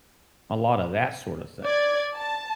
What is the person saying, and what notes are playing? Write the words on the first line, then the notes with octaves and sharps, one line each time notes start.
a lotta that sort of thing.
D5 G#6
A5